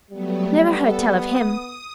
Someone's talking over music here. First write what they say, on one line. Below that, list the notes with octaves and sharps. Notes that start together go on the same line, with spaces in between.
"Never heard tell of him!"
F#3 G3 A3 B3
B3 A4
D#6